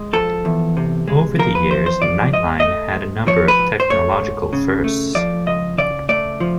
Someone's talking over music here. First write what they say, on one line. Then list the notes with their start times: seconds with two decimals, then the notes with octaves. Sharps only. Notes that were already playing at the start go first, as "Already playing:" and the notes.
Over the years, "Nightline" had a number of technological firsts.
Already playing: G#3
0.13 F3 A4
0.45 E2
0.77 C3
1.08 G#3
1.39 F3 A#4
1.55 B4
1.70 E2 C5
1.86 C5
2.02 F3 D5
2.33 G#2 D#5
2.60 A3 D#5
2.96 G#2
3.27 F3 C#5
3.48 B4
3.59 G#2
3.80 C5
3.90 A3 C#5
4.21 G#2
4.53 C#3
4.84 A3
5.15 F3 D5
5.47 C#2 D#5
5.78 C#3 D5
6.09 A3 D5
6.40 F3